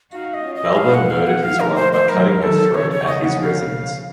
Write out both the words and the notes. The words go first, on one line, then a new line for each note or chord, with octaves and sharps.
Balbo murdered his wife by cutting her throat at his residence.
D#4 F#4 F5
D#5
C#4 F4
D#5
F5
F#5
F3 A3 F5
F#5
F5
A#4
C5
C5
D#3 F#3 A#4
D#3 F#3 A4
C#3 F3 C#5
C#5
D#5
F#5
F5